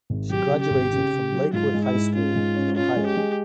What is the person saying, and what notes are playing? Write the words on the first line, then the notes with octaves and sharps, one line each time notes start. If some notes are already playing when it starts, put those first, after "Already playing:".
She graduated from Lakewood High School in Ohio.
G#1
F#3 G4
C#3
G4
G#1
C#3
C#3
F#3
G#2 F4
G#3
E4
G#2
C#4 F4
G#2
C#4
C#4 F4
G#3
G4
G#3